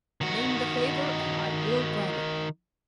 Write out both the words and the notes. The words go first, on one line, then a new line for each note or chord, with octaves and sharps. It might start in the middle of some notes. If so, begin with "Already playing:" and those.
"Name the favor and I will grant it."
D#3 F#4